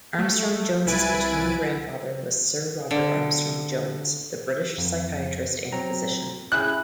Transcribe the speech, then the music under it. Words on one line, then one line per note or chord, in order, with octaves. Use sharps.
Armstrong-Jones's paternal grandfather was Sir Robert Armstrong-Jones, the British psychiatrist and physician.
A3
C2 E4 B4 G#5 A6 D7
D3
F2
F#3 C4 A#5
C#4 E4 G#4 F#6